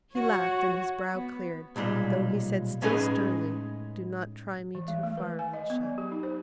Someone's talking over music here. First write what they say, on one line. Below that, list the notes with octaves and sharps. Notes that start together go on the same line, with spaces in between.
He laughed and his brow cleared, though he said still sternly, "Do not try me too far, Alicia."
F#4 C#5
B3
B1 A#2 G3 G#3
A2 G#3 C#4 D#4 G#4 B4
E3
G#3
A3
B4
G#5
D#5
B3
F#3
G4
D#4
C5